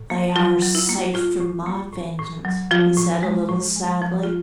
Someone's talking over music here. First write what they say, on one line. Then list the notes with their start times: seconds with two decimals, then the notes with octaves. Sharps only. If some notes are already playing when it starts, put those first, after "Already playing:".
"They are safe from my vengeance," he said a little sadly.
Already playing: A2
0.10 A#3
0.36 F#3 F4
0.62 F#3
0.75 E4
0.89 A#3
1.14 A2 F4
1.40 A2
1.66 A#3
1.93 A2
2.19 A2
2.45 F#3
2.71 F3 F4
2.97 A2
3.23 G#3
3.49 A2
3.76 G#3
4.02 F3
4.24 F4